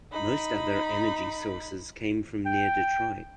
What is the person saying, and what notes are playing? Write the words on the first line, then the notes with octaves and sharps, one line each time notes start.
Most other energy sources came from near Detroit.
D#4 B5
G5